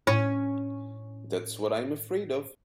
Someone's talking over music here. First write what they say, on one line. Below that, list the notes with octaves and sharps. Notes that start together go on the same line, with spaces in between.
That's what I'm afraid of.
A2 C#4